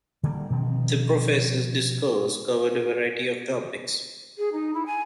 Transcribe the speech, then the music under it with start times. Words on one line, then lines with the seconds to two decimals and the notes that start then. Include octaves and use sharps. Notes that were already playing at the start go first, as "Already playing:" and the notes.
The professor’s discourse covered a variety of topics.
0.23 D3 E3 G3 A#3
0.50 B2 D#3 F3 C4
4.37 G#4
4.52 D#4
4.73 E4
4.85 G#5